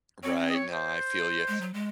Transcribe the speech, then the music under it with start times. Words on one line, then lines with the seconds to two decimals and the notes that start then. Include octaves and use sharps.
Right, no I feel you.
0.23 C4 C#5
0.49 D#5
0.55 C#5
0.71 C5
1.48 G#3
1.61 F#3
1.74 G#3